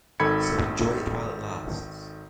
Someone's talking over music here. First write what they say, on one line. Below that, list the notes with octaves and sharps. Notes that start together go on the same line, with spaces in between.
So enjoy it while it lasts.
G#1 D#3 A4 B5 G#6 C#7